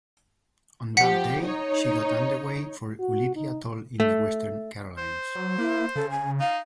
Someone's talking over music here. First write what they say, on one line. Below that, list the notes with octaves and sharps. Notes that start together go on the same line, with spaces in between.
On that day, she got underway for Ulithi Atoll in the Western Carolines.
F3 G4 F#5 B6 C#7
D#4 C#5
F#4
D#4
A3
C5
F#3
A#3 E4
C#3 A4
G#5
D#4 F5